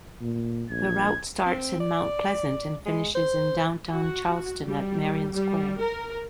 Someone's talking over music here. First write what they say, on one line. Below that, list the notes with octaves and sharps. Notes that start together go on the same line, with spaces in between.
The route starts in Mount Pleasant and finishes in downtown Charleston at Marion Square.
A#2
A#1 G#6
C4
D5
G#3
C5
F#4
G3
G3
A#4